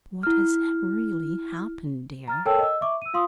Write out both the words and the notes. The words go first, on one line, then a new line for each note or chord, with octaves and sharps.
What has really happened, dear?
E4 F6
A#5 F6 A6
A4 A#4 C#5 G5 A5 E6
D#5 E6
E5 C#6 D6
E6 D#7
F4 F5 C6 D#6